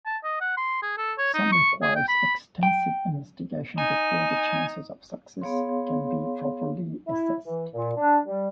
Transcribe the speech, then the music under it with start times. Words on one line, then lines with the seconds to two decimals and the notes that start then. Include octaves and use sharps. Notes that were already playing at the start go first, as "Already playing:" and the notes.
Some require extensive investigation before the chances of success can be properly assessed.
0.06 A5
0.24 D#5
0.41 F#5
0.57 C6
0.83 G#4
0.98 A4
1.18 C#5
1.34 D#4
1.52 C#6
1.82 G#4
1.95 G5
2.08 B5
2.63 G5
3.78 D#4 G#5
5.42 B3 G#4 C#5 F5 C6
7.07 E4
7.45 E3
7.73 A#2
7.97 D4
8.25 G3